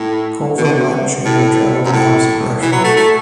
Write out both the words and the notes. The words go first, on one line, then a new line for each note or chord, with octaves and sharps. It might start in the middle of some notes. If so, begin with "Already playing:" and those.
Coal for the mine machinery travelled in the opposite direction.
Already playing: A2
B2
D3
B2
A2
F#2
A2
E3
F#3
A3
A3